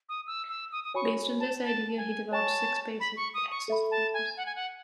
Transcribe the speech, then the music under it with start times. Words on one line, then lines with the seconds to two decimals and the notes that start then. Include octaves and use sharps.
Based on this idea he developed six basic exercises.
0.09 D#6
0.27 E6
0.49 E6
0.72 D#6
0.84 D#6
0.94 F#4 C#5 G#5 B5 C#6
1.40 A5
1.63 A5
1.97 G#5
2.32 C#5 G#5 A5 C#6
3.00 B5
3.17 C#6
3.34 D#6
3.51 C#6
3.68 A4 E5 B5
3.91 A5
4.14 G#5
4.37 F#5
4.46 G#5
4.55 F#5